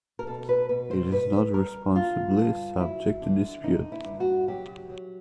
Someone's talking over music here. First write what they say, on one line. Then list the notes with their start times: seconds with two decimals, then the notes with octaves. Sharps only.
It is not reasonably subject to dispute.
0.19 A#4
0.27 B2 A4
0.49 B4
0.69 B2 B4
0.91 C5
1.12 G3 B4
1.53 G3 A#4
1.96 D3 F4
2.38 G2
2.80 F#3 E4
3.22 D3
3.63 D3 D#4
3.92 E4
4.05 G2
4.20 F#4
4.48 F#3 G4
4.90 F#3